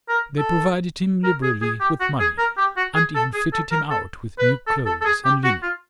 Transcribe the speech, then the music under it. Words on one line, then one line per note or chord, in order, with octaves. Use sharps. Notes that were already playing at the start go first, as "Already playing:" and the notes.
They provided him liberally with money and even fitted him out with new clothes and linen.
A#4
A4
A#4
G#4
G#4
G4
F#4
G#4
A#4
G4
F#4
G#4
A4
G#4
A4
A#4
A4
B4
A4
A4
A4
G#4
G4
F#4
F4